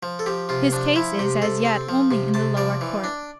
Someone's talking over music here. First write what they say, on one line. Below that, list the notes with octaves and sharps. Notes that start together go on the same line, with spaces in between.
His case is, as yet, only in the lower court.
F3
A4
F3 G4
C3 F4
F3 D4
F3 E4
C3 G4
C3 A4
C4
F3
C3
C3 A5
F3 D5
E3
D4